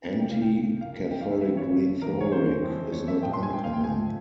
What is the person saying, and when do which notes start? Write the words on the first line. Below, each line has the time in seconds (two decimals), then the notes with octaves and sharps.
Anti-Catholic rhetoric is not uncommon.
0.20 C#2 C3 G3 C4 G5
0.31 F5
0.42 G5
0.81 G2 F3 A#3 F5
1.11 G5
1.21 F5
1.31 E5
1.41 F2 C#3 E3 E5
1.57 C#5
2.02 E2 E3 A#3 A#4
2.21 C#5
2.32 C5
2.62 F2 E3 G#3 C4
2.92 C#5
3.08 E5
3.23 A#2 F3 G#3 C4 G5
3.33 C6
3.43 G#5
3.53 G5
3.64 F5
3.74 G5
3.83 G#2 F3 G#3 C4 G#5